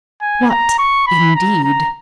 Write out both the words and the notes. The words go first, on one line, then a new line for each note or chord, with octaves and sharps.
What indeed!
G#5
A#5
C#6
B5
A#5
A#5